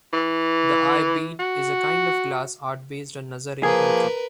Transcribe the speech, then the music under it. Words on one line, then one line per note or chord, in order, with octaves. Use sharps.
The eye bead is a kind of glass art based on nazar in Turkey.
E3
F#4
F3 A#3 G#4 A#4 B4